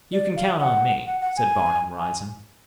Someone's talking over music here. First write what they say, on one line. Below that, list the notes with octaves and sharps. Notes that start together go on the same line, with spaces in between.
"You can count on me," said Barnum, rising.
D5
F5
F#5
F#5
F#5
G#5
G#5